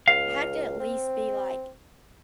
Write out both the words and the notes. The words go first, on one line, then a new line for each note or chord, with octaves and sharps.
had to at least be, like,
C#2 F5
C4